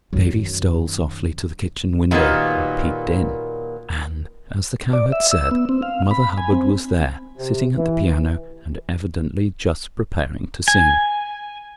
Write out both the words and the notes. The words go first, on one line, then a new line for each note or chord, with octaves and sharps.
Davy stole softly to the kitchen window and peeped in, and, as the Cow had said, Mother Hubbard was there, sitting at the piano, and evidently just preparing to sing.
F#2 D#3
A#2 D#3 F#3 G3 A#3 B3
D5
E5
E6
B3
C4
F5
B5
G#5
C4
C3
E3
G#5